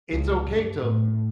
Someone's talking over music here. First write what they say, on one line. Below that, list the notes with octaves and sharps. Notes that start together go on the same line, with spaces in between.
it's okay to l
C#2
G2
A2